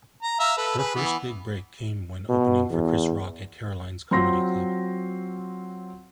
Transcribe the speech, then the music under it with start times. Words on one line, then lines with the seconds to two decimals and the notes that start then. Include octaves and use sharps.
Her first big break came when opening for Chris Rock at Caroline's Comedy Club.
0.23 A#5
0.40 E5 F5 A#5
0.57 A4 B4
0.78 G#4 B4
0.95 E3 B3
2.29 B2
2.70 E2
4.11 F#3 C4 F4 C6 A#6